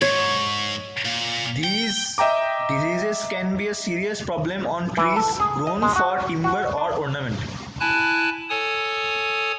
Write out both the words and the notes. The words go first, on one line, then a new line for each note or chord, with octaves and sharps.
These diseases can be a serious problem on trees grown for timber or ornament.
G#2 C#5
A#2
G5
D#5 E5 G5 A#5 D6
E3
A4
G#4
D#5
G#3
F#4
F#4
D4
E4 G#5 A5 F#6
A4 C#5 G#5 D#6